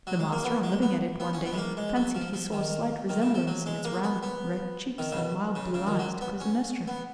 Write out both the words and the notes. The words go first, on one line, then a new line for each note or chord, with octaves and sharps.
The master on looking at it one day fancied he saw a slight resemblance in its round red cheeks and mild blue eyes to Clytemnestra.
F#3
G#3
A#3
B3
G#3
B3
B3
C#4
B3
G#3
A#3
G#3
F#3
F3
F3
D#3
D#3
C#3
F3
F#3
G#3
A#3
B3
B3
D#3
C#3
B2
C#3
C#3
D#3
F#3
B3
C#4
B3